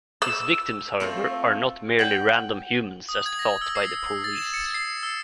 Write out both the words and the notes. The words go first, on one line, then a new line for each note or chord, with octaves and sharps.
His victims however, are not merely random humans as thought by the police.
E6
A3 C4 E4 F4
F#5 G5
D#6
G#6
A#6
E6
C7
A6
E7
C#7
C7
E6